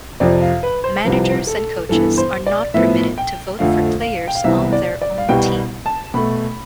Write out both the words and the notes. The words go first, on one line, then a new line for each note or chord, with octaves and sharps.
Managers and coaches are not permitted to vote for players on their own team.
F2 C3 F3 D5
F5
B4
C5
C2 C3 F3 B4
A4
G2 E3 B3 A4
C5
D5
A2 F3 B3 E5
G5
F2 D3 F3 A3 F5
F5
G5
F5
C2 C3 E3 B3 E5
D5
D5
F5
C2 B2 G3 B3 G5
A5
B2 A3 B5